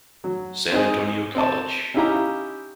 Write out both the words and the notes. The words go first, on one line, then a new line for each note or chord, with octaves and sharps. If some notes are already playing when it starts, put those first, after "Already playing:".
San Antonio College.
F#3
C4 D#4 G#4
C4 A5
C#4 D#4 E4 G4 F5 A#5